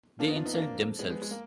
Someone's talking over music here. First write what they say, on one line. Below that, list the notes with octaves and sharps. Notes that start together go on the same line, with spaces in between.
They insult themselves.
F2 F3 A#3 D4
B3 D#4
D4 F4
B3 D#4
A#3 D4
G#3 B3
G#3 B3
G#3
A#3